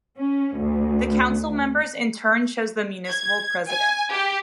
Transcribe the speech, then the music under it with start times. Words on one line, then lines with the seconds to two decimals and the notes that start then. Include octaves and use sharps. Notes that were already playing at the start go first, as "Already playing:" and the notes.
The council members in turn choose the Municipal President.
0.17 C#4
0.57 D2
3.09 G#6
3.66 G#5
4.10 G4